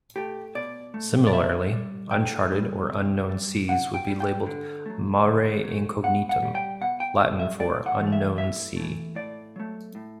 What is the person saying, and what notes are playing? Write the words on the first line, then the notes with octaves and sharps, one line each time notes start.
Similarly, uncharted or unknown seas would be labeled mare incognitum, Latin for "unknown sea".
A3 G4
B2 D5
A3
D5
D3 E5
G3
D3 G5
G3
C3
G3
C3 F#5
G5
G3
G5
D3
F#3 A3
D3
F#3 A3
B2 F#5
F#5
G3
G5
B2 F#5
G5
G3
E5
A2 D5
F#5
E3 A3
E5
A2 E5
E3 A3
A2 D5
F#3 A3
A2